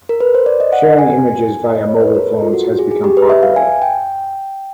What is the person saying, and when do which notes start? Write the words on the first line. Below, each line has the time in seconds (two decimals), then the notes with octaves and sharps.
Sharing images via mobile phones has become popular.
0.09 A#4
0.20 B4
0.35 C5
0.46 D5
0.60 D#5
0.72 F#5
0.99 G#5
1.75 D#5
1.89 C#5
2.01 B4
2.15 A#4
2.27 A4
2.42 F4
2.53 F#4
2.79 G#4
2.91 G#4
3.04 G4
3.17 B4
3.29 E5
3.43 F5
3.56 G#5
3.82 G5